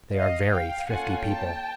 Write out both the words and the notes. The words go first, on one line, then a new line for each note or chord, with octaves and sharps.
They are very thrifty people.
D#5 F5
F5 G5
A#3 C#4 F4 A4 F#5 G#5
G5 A5